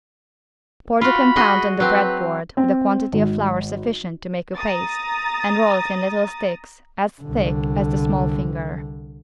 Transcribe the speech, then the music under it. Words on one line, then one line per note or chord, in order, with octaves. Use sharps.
Pour the compound on the bread board with a quantity of flour sufficient to make a paste and roll it in little sticks as thick as the small finger.
F4 F#4 B5
F#4 G#4 D#5
F#3 C4 B4
C4
G#1
A#5 D#6 A6
C2 D3